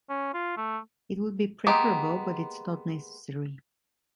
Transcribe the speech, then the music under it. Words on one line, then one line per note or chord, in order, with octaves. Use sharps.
It would be preferable, but it's not necessary.
C#4
F4
A3
G#3 A#3 B3 G4